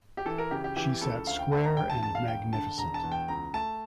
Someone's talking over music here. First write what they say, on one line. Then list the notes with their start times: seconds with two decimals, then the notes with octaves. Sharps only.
She sat square and magnificent.
0.17 G4
0.26 E3 A4
0.38 A#4
0.51 C#3 G4
0.64 G4
0.76 E3 G4
1.01 C#2 A4
1.27 D2 F5
1.39 G5
1.51 D2 A5
1.64 A#5
1.77 E1 G5
1.90 A5
2.03 E1 A5
2.15 F5
2.27 E1 G5
2.53 D3 A5
2.78 E1 A#5
2.94 A5
3.03 E2
3.12 G5
3.28 C#2 A#5
3.54 A3 A5